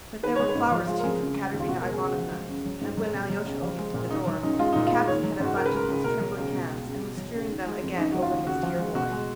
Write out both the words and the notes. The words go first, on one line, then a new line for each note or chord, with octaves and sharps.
But there were flowers too from Katerina Ivanovna, and when Alyosha opened the door, the captain had a bunch in his trembling hands and was strewing them again over his dear boy.
D#3 B4
G#3 C#5
B4
G#2
F3 F4
G#3 F4
A#4
F2 G#4
C#3
G#3
D#2
F4
B2 F#4
A#4
G#3
G#4
C#2 F#4
F3
G#3
F#2
F#3
G#2
F#3
B2
F#3
C#2
F3
G#3
A#2
D#3 D#4
F#3
F#2 D#4
G#3 F4
A#2 D#4
F4
G#3
D#3 C#5
F#3
G#2 F#4
C#3 A#4
B4
G#3 A#4
C#2
B2 A#4
F#3
C#2
B2
G#3
C#2
B2
F#3
C#2
D#3
G#3
F2
C#3 D#4
F#3 F#4
F4
D#2
C#3 F#4
F3
G#3
B2 F#4
G#3